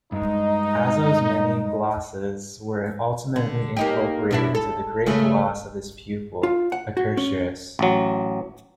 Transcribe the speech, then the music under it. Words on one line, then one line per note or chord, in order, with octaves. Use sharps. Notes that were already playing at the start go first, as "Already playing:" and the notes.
Azo's many glosses were ultimately incorporated into the Great Gloss of his pupil, Accursius.
G2 G#3 D#4 D#5
D3
A#3 D#4 G4
B2 D4 E4
A4
C#3 A3 B4
F4
F#5
F#4
C#4
A1 F#3